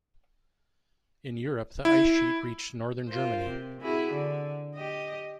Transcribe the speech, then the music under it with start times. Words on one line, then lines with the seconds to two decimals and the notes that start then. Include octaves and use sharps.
In Europe, the ice sheet reached northern Germany.
1.85 E4
3.09 F4 A#4 C5
3.49 C3
3.81 E4 F#4 G#4
4.13 D3
4.75 G4 D#5